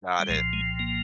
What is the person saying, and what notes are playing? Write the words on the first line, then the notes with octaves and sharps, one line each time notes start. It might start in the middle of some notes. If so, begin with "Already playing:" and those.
Got it.
G3
C2 A#2 F3 G#3
G#3
A#3